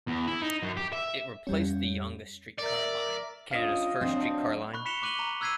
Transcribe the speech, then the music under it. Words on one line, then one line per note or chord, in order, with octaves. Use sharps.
It replaced the Yonge streetcar line, Canada's first streetcar line.
E2
E4
D#4
F#2
G4
E5
F2 G3 C#4
A#4 D5 E5
C#4 D4 F4 D#5 F5 D#6
F#3 C4 D4
B5 C#6 F#6
B5 B6 C#7 E7 F7 G7
C#6 D6 F#6 D#7 F#7 G7
A#5
E6 F#6 G#6 B6 C7 D#7